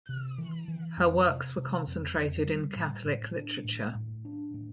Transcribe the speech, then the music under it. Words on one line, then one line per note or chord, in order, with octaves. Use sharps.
Her works were concentrated in Catholic literature.
C3
E3
E3
F2
C3
C3
F2
F2
G3
A2
A2
D4
A2
A2
D4
A2